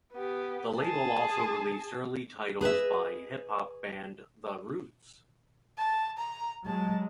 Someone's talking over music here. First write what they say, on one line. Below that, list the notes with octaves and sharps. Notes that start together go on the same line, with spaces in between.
The label also released early titles by hip hop band The Roots.
B3 G4
G#4 A5
G#4 B4 D#5 E5
A5
A#5
F#3 G#3 A5